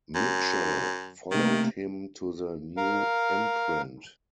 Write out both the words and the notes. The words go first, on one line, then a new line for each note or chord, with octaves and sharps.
Mitchell - followed him to the new imprint.
F#2
C3 D#3 A3 A#3
A#4 F5